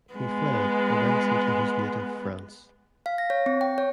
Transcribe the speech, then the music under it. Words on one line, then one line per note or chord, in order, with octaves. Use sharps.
He fled, eventually to his native France.
G#3 B3
F5
A#6
C#5
C4
G5
C#5